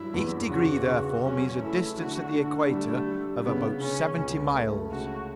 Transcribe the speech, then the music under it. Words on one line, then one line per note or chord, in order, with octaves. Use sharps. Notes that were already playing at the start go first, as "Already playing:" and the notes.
Each degree therefore means a distance at the equator of about seventy miles.
Already playing: G2 F#3 E4
E2
C#3 F#4
C#3
F#3 C#4
A3 E4
D3 F#4
D3
G3 A3
G3
C#3 B3
C#3 C#4
C#2
A3
C#3 F#4